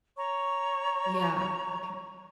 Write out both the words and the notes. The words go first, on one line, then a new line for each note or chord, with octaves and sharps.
Yeah. Okay.
C#5 A#5 C#6